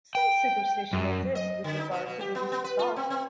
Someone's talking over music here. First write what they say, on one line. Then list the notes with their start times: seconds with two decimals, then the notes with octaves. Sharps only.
Some superstition exists with regard to the use of salt.
0.15 G5
0.93 F#2
1.35 D#5
1.64 D3
1.79 D#4
1.91 B2
2.06 B2
2.21 G4
2.35 B3
2.52 B3
2.64 B4
2.79 F4
2.96 C4
3.10 C4